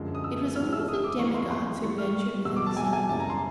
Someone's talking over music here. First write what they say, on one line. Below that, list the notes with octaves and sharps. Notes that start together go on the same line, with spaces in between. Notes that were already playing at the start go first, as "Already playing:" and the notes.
It was only the demigods who ventured within the circle.
Already playing: F#2 D3 F3 G#3
D#6
E6
A2 F3 G#3 F6
E6
D#6
D6
A2 E3 G#3 C#6
C6
C6
A2 E3 G3 C#6
F6
E2 B2 G#3 E6
D6
A5
G#5
G#5
F#2 C#3 E3 G3 A5
A#5
C6